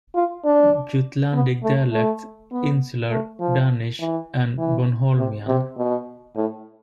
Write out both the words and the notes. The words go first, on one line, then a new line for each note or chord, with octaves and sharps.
Jutlandic dialect, Insular Danish and Bornholmian.
F4
D4
B3
A3
A3
B3
A3
F3
E3
E3
C3
C3
B2
A2